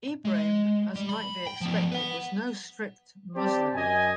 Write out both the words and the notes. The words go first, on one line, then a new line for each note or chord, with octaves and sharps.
Ibrahim, as might be expected, was no strict Muslim.
G#3
G3
B5
G5
F3 B3
B4 F#5
C4 G4 C5 D5 A5
F#2 D#5 G#5